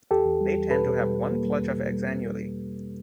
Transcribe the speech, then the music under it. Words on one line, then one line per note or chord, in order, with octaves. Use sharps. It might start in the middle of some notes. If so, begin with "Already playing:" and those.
They tend to have one clutch of eggs annually.
E2 G4 A4
E2
G3
E2
B2 A4 B4
B2
G3
E2
A#3
G3
E2
B2
G3